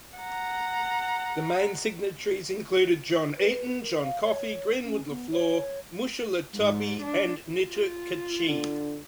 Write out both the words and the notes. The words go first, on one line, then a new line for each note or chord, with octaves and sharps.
The main signatories included John Eaton, John Coffee, Greenwood Leflore, Musholatubbee, and Nittucachee.
F#5 A#5
B4
A#4
F5
C#5
C#4
B3
C#5
G#2
D4
F4
D3